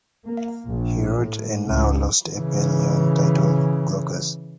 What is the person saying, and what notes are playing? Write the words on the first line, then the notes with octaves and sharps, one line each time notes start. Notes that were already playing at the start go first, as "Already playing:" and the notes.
He wrote a now lost epyllion titled "Glaucus".
A#3
A#1
A2
C#2
C#3 E3